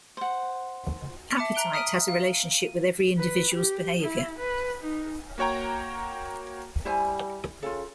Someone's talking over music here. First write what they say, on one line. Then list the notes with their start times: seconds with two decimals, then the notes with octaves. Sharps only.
Appetite has a relationship with every individual's behavior.
0.17 C5 F#5
1.37 E5 A5 D6 C#7
1.54 A#5 F#6 D7 G7
1.73 D#6 F6 B6 D7 D#7
2.08 F5
2.61 D#7
3.18 B4
3.54 G4
4.01 E4
4.39 B4
4.82 D#4
5.38 A#3 F#4 C#5 G5 A#5
6.85 G3 E4 C5 G#5
7.63 C#3 F4 A4